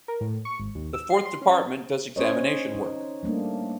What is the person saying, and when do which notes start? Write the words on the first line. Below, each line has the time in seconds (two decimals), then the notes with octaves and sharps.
The Fourth Department does examination work.
0.08 A#4
0.21 A2
0.45 C#6
0.59 G#1
0.75 D#2
0.93 E6
1.10 C7
1.25 C6
1.41 C#4
2.16 C#4 C5 C#5 D#5
2.75 D#4
3.23 G3 A3 A#3 D4